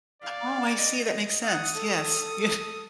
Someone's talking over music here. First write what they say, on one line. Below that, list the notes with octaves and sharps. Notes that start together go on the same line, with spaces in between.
Oh, I see, that makes sense. Yes. Yeah.
D5 F5
D#5
F#5 D#6
A4